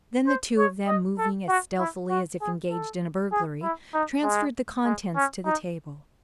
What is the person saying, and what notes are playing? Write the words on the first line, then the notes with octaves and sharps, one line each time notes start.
Then the two of them, moving as stealthily as if engaged in a burglary, transferred the contents to the table.
C5
C#5
D#5
A4
F#4
E4
F#4
G#4
A4
G#4
E4
D#4
G#3
G#3
C#4
D#4